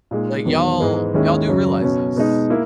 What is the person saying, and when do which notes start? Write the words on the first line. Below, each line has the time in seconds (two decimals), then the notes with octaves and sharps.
Like, y'all y'all do realize this."
0.11 A#2 G#3 D#4
0.45 E2 D#3 F#3 B3
0.80 G#2 E3 G#3 B3
1.13 D#2 D#3 G#3 C#4 E4
1.48 F#2 C#3 F#3
1.81 B2 F#3 C#4
2.16 B2 G#3 D#4
2.50 A#3 E4